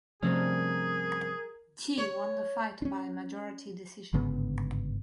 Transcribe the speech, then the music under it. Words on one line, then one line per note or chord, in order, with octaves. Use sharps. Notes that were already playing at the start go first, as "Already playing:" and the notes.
Qi won the fight by majority decision.
G2 C3 F3 A3 C4 C#4 G#4 A#4
C#5
C#4 D4
G1 G#2 C#3 B3